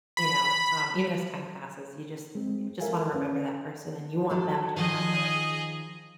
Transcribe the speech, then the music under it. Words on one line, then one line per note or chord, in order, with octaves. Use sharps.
you know, um, even as time passes, you just you just want to remember that person and you want them to remember
B5
G#3 C4
A4 A#4 E5 F5 G#5
C#4 B4
F#3 A4
D#3 F3 G#4 D#5